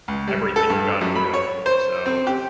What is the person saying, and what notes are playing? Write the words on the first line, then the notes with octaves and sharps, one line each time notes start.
everything you gotta do, so
C#2
G3
A4
G2
F#2
B5
C#5
C5
C4
G4